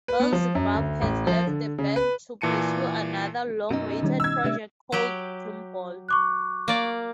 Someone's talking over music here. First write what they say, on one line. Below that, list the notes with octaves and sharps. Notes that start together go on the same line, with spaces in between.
Beelzebub has left the band to pursue another long-awaited project called Gloomball.
B4
B3
F3
F#2
D2
A1
F3
D3
C#3
B4
A#2 E3 A5 C#7 D#7
F#2 B2 D#4
D#3 G3 C#4
E6 G#6
C3 G3 A3 D4 E5
F#3 G4
C#6 D6 F#6
A#3 D5